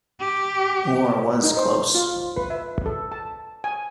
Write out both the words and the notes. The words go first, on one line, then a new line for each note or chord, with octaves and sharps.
War was close.
G4
D#4
C5
F4
B4
E5
A4
A5
G#5